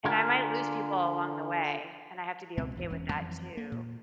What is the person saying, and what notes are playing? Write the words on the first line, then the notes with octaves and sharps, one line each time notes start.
And I might lose people along the way, and I have to be okay with that too.
D3 D4 F4 G#4 A#4
C#2 B2 G#3 C4
A#1 E2 G#2 F3
E1 E2 C#4
F2 E3 F#3
A#3
A#2